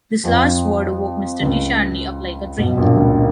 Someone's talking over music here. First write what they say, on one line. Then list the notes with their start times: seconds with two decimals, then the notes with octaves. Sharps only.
This last word woke Mr. de Charny up like a dream.
0.24 F2 F3
1.40 C#2 C#3
2.57 B1 B2
2.77 A#1 A#2
2.96 C#2 C#3
3.16 D#3